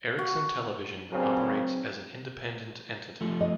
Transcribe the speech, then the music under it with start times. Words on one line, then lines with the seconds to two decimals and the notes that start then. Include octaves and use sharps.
Ericsson Television operates as an independent entity.
0.19 F#4
1.12 G2 A#2 C#3 F#3 C4
3.21 F3 A3
3.41 D#5